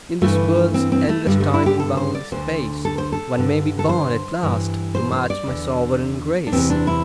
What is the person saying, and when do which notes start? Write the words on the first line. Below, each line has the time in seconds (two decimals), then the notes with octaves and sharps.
In this worlds endless time and boundless space One may be born at last to match my sovereign grace.
0.22 G2 E3 A3
0.74 C4
0.92 C4
1.09 A3
1.27 G2 D3 G3
1.40 A3
1.54 E4
1.66 G4
1.80 A4
1.97 C5
2.15 D5
2.32 D2 D3 C5
2.85 A4
2.98 C5
3.12 A4
3.37 G2 D3
3.79 A4
3.89 C5
4.42 G2 E3
4.95 C5
5.12 C5
5.30 D5
5.47 E2 D3
6.47 D4
6.52 E2 C3 E3 C4
6.70 D4
6.87 E4